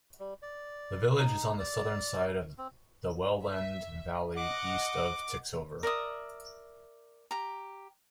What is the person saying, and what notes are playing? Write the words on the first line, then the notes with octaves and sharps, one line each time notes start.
The village is on the southern side of the Welland valley east of Tixover.
G3
D5
D#4
D5
C4
E5
D#5 F#5 D6
A#4 D5 E5 D#6
G4 A#5